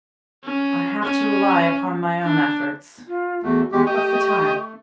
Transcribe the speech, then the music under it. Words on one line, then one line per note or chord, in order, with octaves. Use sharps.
I have to rely upon my own efforts. What's the time?
C#4
C#4
D4
F4
E2 A3 F#4
E2 G#3 G4 C#6
A3 G4 D#5